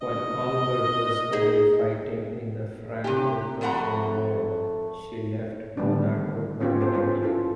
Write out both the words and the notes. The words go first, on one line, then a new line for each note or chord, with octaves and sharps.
While Albert was away fighting in the Franco-Prussian war, she left Monaco permanently.
D#5
D#4 G#4
C3 G4
F2 A2 A3 F#5 A#5
D3 D#3 G3 B3 D4
B3 C#4 F4 G4 C#5
A4 C5
C#4 F4 B4 C5
E4 F4 A4